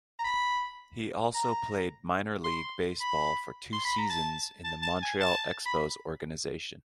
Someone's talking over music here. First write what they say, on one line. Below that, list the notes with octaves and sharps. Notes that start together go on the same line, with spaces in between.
He also played minor-league baseball for two seasons in the Montreal Expos organization.
A#5
B5
A#5
C6
B5
C6
B5
A#5
A5
A5
A5
G#5
A5
B5